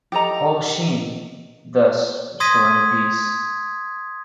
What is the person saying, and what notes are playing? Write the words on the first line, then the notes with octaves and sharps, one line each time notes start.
Houshin, thus restoring peace.
G4 A4 D#5 A#5
C6 D#6 G#6 A#6 B6 D#7